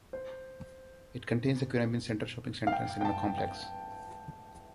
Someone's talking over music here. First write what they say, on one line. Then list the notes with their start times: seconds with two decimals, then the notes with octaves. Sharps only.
It contains the Currambine Central shopping centre and cinema complex.
0.13 C5
2.67 F5
2.73 G5
3.01 G5
3.05 A5
3.38 G5